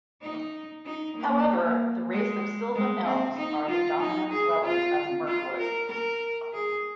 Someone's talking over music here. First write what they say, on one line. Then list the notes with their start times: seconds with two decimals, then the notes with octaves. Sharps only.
However, the race of Silvan Elves are the dominant dwellers of Mirkwood.
0.22 D#4
0.86 D#4
1.17 A#3
1.48 A#3
2.12 G#3
2.75 G#3
3.06 C4
3.38 D#4
3.69 F4
4.00 D#4
4.32 G#4
4.64 F4
5.27 F4
5.58 A#4
5.90 A#4
6.53 G#4